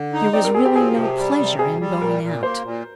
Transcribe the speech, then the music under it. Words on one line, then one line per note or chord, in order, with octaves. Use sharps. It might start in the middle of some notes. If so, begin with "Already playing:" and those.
There was really no pleasure in going out.
Already playing: D3
D#4
C4 D5
A#4
C4 G#4
G4
F3 G#4
C3
G3
C3
G3 G#4
G3
A#2 A#4
A#2
A#3 C5
A#2